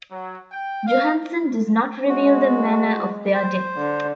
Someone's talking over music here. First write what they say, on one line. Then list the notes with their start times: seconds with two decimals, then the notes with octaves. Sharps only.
Johansen does not reveal the manner of their death.
0.11 F#3
0.51 G5
0.87 F5
2.09 G#3 F#4
3.34 C5
3.78 D3